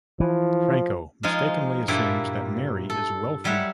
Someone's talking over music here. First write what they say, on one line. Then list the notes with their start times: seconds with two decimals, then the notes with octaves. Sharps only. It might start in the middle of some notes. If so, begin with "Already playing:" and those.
Franco mistakenly assumes that Mary is wealthy.
0.20 E3 F3
1.23 F3 G#3 D#4 F4 G#5
1.88 G2 A#2 G3 A#3 E4
2.90 A4
3.44 F#3 G3 C#5 E5 F#5